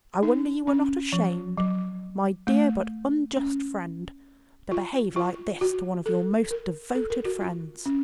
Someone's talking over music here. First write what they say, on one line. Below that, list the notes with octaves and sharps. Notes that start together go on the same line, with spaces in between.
I wonder you were not ashamed, my dear but unjust friend, to behave like this to one of your most devoted friends.
D#4
C#4
F3
F#3
A3
C#4
F4
F4
F#4
A4
A#4
A4
A#4
F#4
F4
C#4